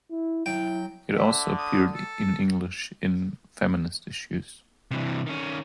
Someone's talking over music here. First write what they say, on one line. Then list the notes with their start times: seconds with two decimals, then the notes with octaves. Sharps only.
It also appeared in English in "Feminist Issues".
0.11 E4
0.46 F#3 E4 G5
1.16 D3 E5
1.58 D#6
1.95 A4
4.91 C3 E3
5.27 D#3 C#4